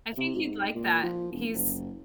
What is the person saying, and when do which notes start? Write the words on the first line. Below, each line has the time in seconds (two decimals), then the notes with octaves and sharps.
I think he'd like that. He's
0.17 C3
0.35 G#2
0.74 A#2
1.03 F3
1.32 E1
1.53 F#1